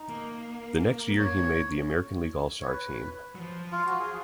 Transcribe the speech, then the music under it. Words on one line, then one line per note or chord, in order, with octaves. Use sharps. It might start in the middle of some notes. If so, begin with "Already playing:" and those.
The next year he made the American League All-Star team.
Already playing: D#4
A#3
C#5
C#5
B4
F#3
F3
F4
F#4
G#4